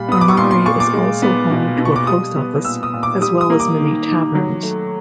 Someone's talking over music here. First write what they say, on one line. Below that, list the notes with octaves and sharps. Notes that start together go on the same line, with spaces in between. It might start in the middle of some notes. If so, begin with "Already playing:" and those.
Marmari is also home to a post office, as well as many taverns.
Already playing: A#2 G3 B5
B3 D#6
D6
C#6
A#2 C6
C6
A#2 C#6
D6
G#3
B3
B2
B2
C#6
D6
G3 D#6
B3
A#2 E6
D#6
A#2
D6
G3 D#6
D#6
A#3
D6
D#3
D#3
F#3
A3